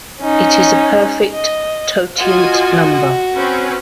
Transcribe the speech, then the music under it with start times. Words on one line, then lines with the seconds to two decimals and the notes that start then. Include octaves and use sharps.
It is a perfect totient number.
0.22 C#4 D#4
1.33 D#5
2.17 F4 F#4 D#5 G#5
3.34 C4 C#4 B4